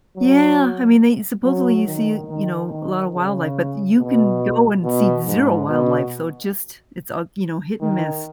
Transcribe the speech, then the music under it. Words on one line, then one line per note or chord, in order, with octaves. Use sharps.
Yeah. I mean, they supposedly, you see, you know, a lot of wildlife, but you can go and see zero wildlife, so just it's, uh, you know, hit and miss.
F#3
F#3
D#3
D#3
D#3
C#3
B2
B2
G#2
B2
D#3